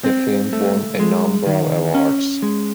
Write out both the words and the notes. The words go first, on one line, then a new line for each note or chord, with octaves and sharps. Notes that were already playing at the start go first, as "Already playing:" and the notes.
The film won a number of awards.
C4
A3
G#3
D#3
C#4
G#3